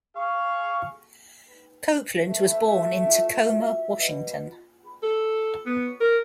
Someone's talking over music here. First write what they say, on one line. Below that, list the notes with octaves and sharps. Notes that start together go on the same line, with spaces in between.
Copeland was born in Tacoma, Washington.
G#4 F5 C#6
A3
E5
E5
B2
A4
B3
A#4